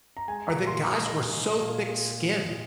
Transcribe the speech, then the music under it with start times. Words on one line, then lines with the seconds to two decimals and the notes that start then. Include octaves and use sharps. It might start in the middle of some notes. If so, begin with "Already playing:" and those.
are that guys were so thick-skinned.
0.17 A#5
0.28 G#3 G#5
0.47 A#5
0.54 A#2
0.67 C6
0.80 G#3
0.86 D#6
1.05 G#3 D#5
1.31 G#3
1.57 A#2